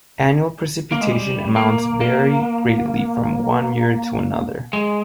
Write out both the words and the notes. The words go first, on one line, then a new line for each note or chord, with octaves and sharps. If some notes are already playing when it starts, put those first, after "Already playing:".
Annual precipitation amounts vary greatly from one year to another.
A#3
G#3
G3
A#3
A#3
G#3